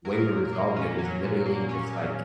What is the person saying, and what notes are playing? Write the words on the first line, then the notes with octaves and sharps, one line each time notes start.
the way we resolved it was literally just, like,
F#3 A#4
A#2
A#3
C#4
F#3
A#2
A#3
C#4
F#3